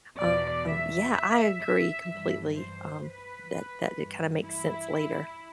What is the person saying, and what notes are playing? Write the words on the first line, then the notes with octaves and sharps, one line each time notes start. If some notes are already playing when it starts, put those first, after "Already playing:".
Um, yeah, I agree completely, um, that that it kinda makes sense later.
E2 B2 D5
E5
E5
E5
G2 E3
C5
B4
G2 E3
E4